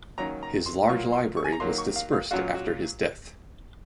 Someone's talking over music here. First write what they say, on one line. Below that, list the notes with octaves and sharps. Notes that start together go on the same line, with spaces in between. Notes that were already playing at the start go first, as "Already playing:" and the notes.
His large library was dispersed after his death.
D#3 F#3 A#3 C#4 A#5
A#5
C6
A#2 F#3 A#3 F4 C#6
C6
C#6
G#5
A#5
D#3 F#3 A#3 C6
C#6
F5
F5
A#2 F#3 C#4 F4 F#4
F#4